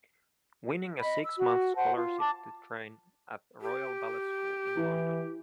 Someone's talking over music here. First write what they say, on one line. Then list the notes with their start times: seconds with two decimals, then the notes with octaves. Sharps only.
Winning a six-month scholarship to train at the Royal Ballet School in London.
1.02 D#5 B5
1.24 E6
1.39 F#4
1.76 C5 F#5 A5
1.95 F4
2.18 A5 D6
3.61 G4
4.77 E3 E4